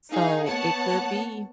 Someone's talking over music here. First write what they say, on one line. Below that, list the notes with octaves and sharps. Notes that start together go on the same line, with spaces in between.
So, it could be,
D#4 G#4 F5
A#3 B3 C#5 F#5 A5